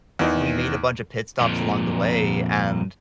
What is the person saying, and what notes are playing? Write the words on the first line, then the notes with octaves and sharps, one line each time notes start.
we made a bunch of pit stops along the way and,
E2 D#3 E3 D#4
F2 A#2